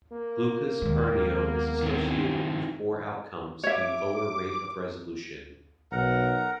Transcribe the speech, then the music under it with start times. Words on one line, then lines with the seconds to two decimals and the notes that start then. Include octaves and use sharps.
Lupus pernio is associated with poor outcomes and lower rate of resolution.
0.12 A#3
0.82 D#2 D#3 G#3
1.43 B3
1.82 D#3 C4 E4
3.63 C#5 E5 D6
5.92 B1 A#4 F#5 A#5